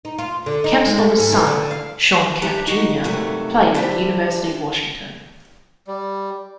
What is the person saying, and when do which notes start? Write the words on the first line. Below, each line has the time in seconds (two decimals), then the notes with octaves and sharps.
Kemp's oldest son, Shawn Kemp Junior played for the University of Washington.
0.05 D#4
0.18 F4
0.46 D3
0.64 D#4
0.86 G#3
0.98 A3
1.19 G#2
1.32 E3
1.47 D3
1.71 F5
2.42 G3 D4 G4 A#5
2.67 D#4 F#4 D#5 F#5 G5
3.04 G2 C3 D#3 F#3 A3
3.74 G3 D4 F4 G4 C5 E5
5.87 G3